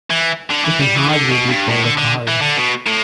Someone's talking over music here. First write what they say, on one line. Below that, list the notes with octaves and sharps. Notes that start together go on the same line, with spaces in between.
It can hardly be called a card.
E3
D3
E3
G3
E3
D3
B2
G2
A2
D3
D3
E3
D3
B2
A2